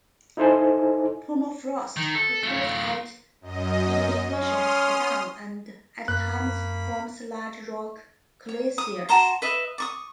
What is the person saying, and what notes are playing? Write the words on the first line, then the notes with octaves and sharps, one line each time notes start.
Permafrost occurs at elevations above and at times forms large rock glaciers.
D#4 E4 A4 C5 D#5 G#5
D#3
A4
A3 F4
F#2 D#5
C#4 C6 D#6 F6
F#2 A#3 B5 F#6
C#5
D#6
F#4 A5 A#5 C6
B4 D#5 E5
D5 C#6 D#6